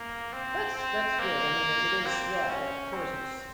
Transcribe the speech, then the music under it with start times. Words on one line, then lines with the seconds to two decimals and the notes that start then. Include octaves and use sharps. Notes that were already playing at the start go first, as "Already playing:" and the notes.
That's that's good. I mean, it it is, yeah, uh, of course, it's
Already playing: A#3
0.33 C4
0.76 C4
1.19 A#3
2.06 C4
2.49 C#4
2.93 C4